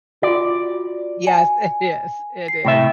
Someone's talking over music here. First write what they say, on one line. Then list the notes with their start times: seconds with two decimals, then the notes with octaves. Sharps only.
Yes, it is. It is.
0.23 F4 F#4 D5
1.27 G#5
2.48 C7
2.65 A2 C3 E5 G5